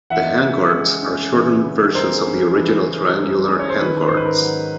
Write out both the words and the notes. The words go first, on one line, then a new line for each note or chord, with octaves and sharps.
The handguards are shortened versions of the original triangular handguards.
E3 E5 F#5
C#3
G#3
C#4
E3
C#3
G#3 A#4 C5
C#4
E3
C#3
G#3
C#4
C#5
C5
D#3 B4
G#2 C5
B4
A#4
F#3